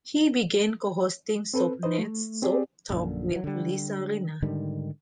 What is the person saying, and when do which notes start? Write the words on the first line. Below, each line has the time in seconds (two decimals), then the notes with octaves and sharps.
He began co-hosting Soapnet's "Soap Talk" with Lisa Rinna.
1.54 C4 A4 B4
1.83 D#4 B4 C5 D#5
1.99 A3
2.42 C4 G4 G#4 D5
2.90 A#1 F#2 A#2 D3
3.31 E3 F#3
3.44 D3 G3
4.42 G#2 D3 D#3 G3